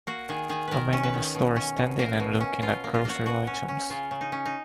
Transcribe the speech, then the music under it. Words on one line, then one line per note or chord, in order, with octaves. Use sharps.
A man in a store is standing and looking at grocery items.
A#3 F#4
D#3 G#4
D#3 G#4
D#3 A#4 B4
C#4
B4
D#3
B2
C#4
B2
A#3 A#4
B2
C#4
B2 F4
A#3
F4
A#3 F#4
B2 F#4
C#4
C#4
C#3 F4
C#3
D#4
C#4
D#4